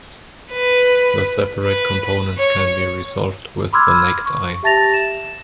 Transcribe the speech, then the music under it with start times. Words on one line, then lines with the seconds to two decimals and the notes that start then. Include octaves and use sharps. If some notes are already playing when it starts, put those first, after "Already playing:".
The separate components can be resolved with the naked eye.
0.51 B4
1.63 B4
2.38 C#5
3.73 B5 C6 D6 E6 F6 G#6
4.26 C#6
4.63 G4 E5 A5 A6 A#6 F7
4.94 E7